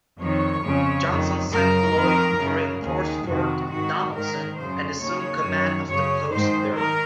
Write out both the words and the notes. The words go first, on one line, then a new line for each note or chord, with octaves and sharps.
Johnston sent Floyd to reinforce Fort Donelson and assume command of the post there.
F2 D#3 C#5
F2 C#3
F2 D#3
F#2 C#3 A#4
F2 D#3
F#2 C#3
D#2 D#3 G#4
F2 C3 D#3 F#4
G#2 D#3 F#4
G#2 D#3 A#4
F#2 C#3 C5
D#2 C#3 C#5
F#2 D#3
F#2 C#3 C#5
G#2 D#3 C5
D#3 A#4